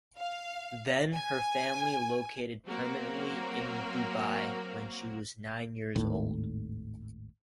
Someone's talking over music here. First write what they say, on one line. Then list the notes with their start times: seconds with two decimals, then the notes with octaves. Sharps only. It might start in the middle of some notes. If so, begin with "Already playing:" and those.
Then her family located permanently in Dubai when she was nine years old.
0.18 F5
1.14 G#5
2.67 F#3 A#3 C4 F#4 A#4
5.96 G#1 D#2 A2